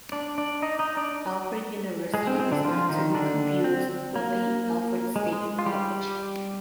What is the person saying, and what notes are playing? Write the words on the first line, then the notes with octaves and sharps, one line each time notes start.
Alfred University is not to be confused with the Alfred State College.
D4 D5
D4 D5
D#4 D#5
D#4 D#5
D4 D5
G#3 G#4
C4
C4
D3 D4
F3 F4
D#3 D#4
D3 D4
C4
A#3
G#3
G#3
F4
G3 G4